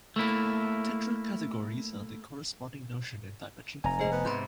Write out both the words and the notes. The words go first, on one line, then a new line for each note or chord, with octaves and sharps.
Tetracategories are the corresponding notion in dimension four.
A3 A#3 E4
F1 G#5 A#5
G#3 C5 D#5
B3
G#2 C3 B5 C6 G6